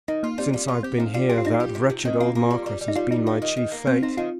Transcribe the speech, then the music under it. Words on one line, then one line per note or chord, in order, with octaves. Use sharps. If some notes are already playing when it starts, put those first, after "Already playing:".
Since I've been here that wretched old Marquis has been my chief fate.
D#3 D#4
A#3 F4
G3 C4
G3
F4
C4 G4
F3 D#4
G3 F4
C4 G4
F4
G3 D#4
F4
G4
C3
C3
D#3 C4
A#3 F4
A#3
G3
G3
G3
D#4
G3 F4
G3 D#4
A#3
D#3
D#3
A#3
C4 F4
C4 D#4
D#3 F4